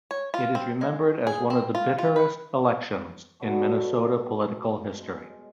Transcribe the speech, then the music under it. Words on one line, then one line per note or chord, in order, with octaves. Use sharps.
It is remembered as one of the bitterest elections in Minnesota political history.
C#5
F4
C4
G#3
G#4
C4
F4
F4
B4
G2 B2 F#3 A3
G#3